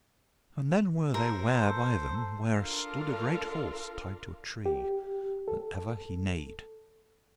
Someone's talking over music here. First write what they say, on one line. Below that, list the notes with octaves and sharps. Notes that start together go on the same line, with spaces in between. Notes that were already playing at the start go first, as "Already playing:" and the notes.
And then were they ware by them where stood a great horse tied to a tree, and ever he neighed.
A4 A#4 C5
D4 F4 A4 A#4 F5
G4
A4